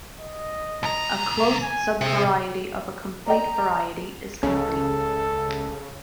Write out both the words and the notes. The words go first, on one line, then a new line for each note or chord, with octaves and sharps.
A closed subvariety of a complete variety is complete.
D#5
C2 A#5
G#5
C3 G#4
D5 D#5 G5 A#5
C#2 C#3 C#4 A4